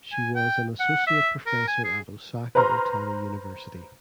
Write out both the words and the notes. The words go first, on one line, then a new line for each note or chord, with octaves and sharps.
She was an associate professor at Osaka Ohtani University.
G#5
G5
F#5
E5
A#4
G#5
G#4
B4 C5 A#5 C6 F6